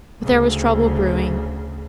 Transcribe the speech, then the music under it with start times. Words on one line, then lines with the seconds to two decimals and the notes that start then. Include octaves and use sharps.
But there was trouble brewing.
0.22 D2 C#3